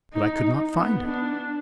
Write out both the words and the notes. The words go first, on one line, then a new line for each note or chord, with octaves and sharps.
But I could not find it.
D#4
B3
D4